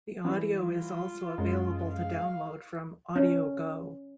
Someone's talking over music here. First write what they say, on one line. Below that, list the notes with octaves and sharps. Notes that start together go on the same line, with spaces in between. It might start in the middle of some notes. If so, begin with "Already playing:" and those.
The audio is also available to download from AudioGo.
E3 G3
F4
F#2 G#3
F5
C#4